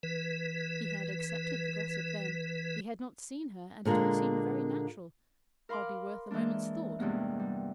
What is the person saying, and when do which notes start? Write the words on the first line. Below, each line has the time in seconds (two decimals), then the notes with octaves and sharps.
He had accepted the gossip then; he had not seen her and it all seemed very natural;--hardly worth a moment's thought.
0.03 E3 B4
3.85 A#2 D3 G#3 A#3
5.69 A#4 F5 B5 C6 D6
6.31 E3 G#3 A#3 D4
6.99 E2 G2 C3 G#3 A#3 B3
7.39 G3